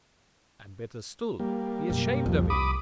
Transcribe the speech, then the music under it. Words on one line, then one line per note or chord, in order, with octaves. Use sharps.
And better still: be ashamed of him!
G3 A#3
F#2 B2
C2 F2
B5 D6 D#6